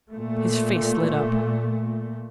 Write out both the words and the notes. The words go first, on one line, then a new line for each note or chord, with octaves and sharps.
His face lit up.
A#2 A3